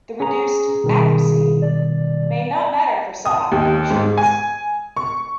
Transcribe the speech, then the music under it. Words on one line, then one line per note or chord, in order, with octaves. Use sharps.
The reduced "accuracy" may not matter for some applications.
C#4 G#4 A#5
B2 D#3 G3
D5
D#6
D#2
G#2
G#5
C#6